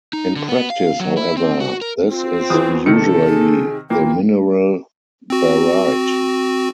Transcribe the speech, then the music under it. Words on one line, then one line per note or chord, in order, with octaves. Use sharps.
In practice, however, this is usually the mineral baryte.
D#4
D3
B3
F5
F#3
E4
C4
F#4
A#4
C4 F4
E2 E3 D#6
C3 D#3 A4 C#7
G#4
A#2 E3 A#3 G5
C4 F#4